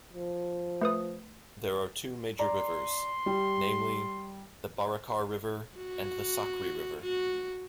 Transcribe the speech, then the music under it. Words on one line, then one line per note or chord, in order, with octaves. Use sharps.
There are two major rivers, namely, the Barakar River and the Sakri River.
F3
A3 B4 D#6
D5 A#5 C6
G3
F#4
F#4